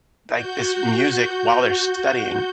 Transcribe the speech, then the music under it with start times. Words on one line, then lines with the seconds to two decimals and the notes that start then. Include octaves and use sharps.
like, this music while they're studying.
0.32 F#4 G6